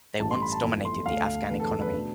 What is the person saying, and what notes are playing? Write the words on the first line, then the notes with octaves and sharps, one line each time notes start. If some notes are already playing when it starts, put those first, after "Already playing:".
They once dominated the Afghan economy.
A1 G2 E3 G3 A5
C6
B5
A5
G1 F2 E3 A3
C6
D2 D3 A3 F5
F1 E2 D3 A3 B4
A4
A4
B4
B2 A3 D4